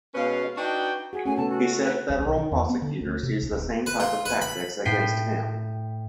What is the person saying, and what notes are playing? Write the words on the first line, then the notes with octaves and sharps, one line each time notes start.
He said federal prosecutors used the same type of tactics against him.
B2 G#3 C#4 B4 F5
D4 D#4 F#4 B4 G5
F#4 G#4
A3 C#4 G#5
C#3 B3 A4 A5
F#4
B4
C#2
B1
D#3
E2
B3
D3
D2
C3
C#2
D1
B4
F4
B4
B5
A2 G5 B6 C7 D#7